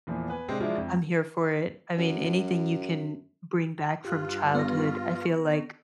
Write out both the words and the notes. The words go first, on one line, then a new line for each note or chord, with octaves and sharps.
I'm here for it. I mean, anything you can bring back from childhood, I feel like
E2 A#2 E3 F3
B3 B4 G#5
C3 G#3 C4 D4
F3 F#3 G#3 D4 E4 F4
F2
F#2
G2 F4 G4 F#6
B3 C#6 A#6